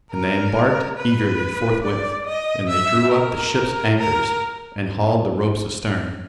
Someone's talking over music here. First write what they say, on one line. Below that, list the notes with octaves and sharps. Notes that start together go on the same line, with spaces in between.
And they embarked eagerly forthwith; and they drew up the ship's anchors and hauled the ropes astern.
A#4
B4
D5
D#5
E5
A#4
A#4